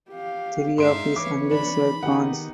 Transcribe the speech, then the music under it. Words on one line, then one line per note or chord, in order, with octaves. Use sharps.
Three of his uncles were khans.
G4 F5
G2 G#3 D#4 E5 F5 C6 D7 E7
E3 B4 C#5 D6
D4 B5
D#3 B3 D#4 G4 F#5